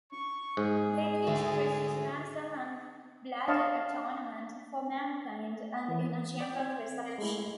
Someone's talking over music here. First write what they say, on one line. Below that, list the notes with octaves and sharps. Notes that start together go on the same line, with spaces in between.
They teach Christ's ransom and blood atonement for mankind, and in a general resurrection.
C#6
G#2 G#4
D2
D4 C#5 D#5 F5 A5 C#6
E3
D5 G5
C4 G#6
G#3 A3 E4